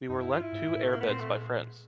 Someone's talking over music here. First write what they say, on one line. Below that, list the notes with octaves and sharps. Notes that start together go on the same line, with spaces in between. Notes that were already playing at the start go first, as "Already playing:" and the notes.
We were lent two air-beds by friends.
F#2 D#4
E4
F4
G2
G#2 E4
G#2
A2
A2
A3
A#3
B3
A#2 C4
A3
G#3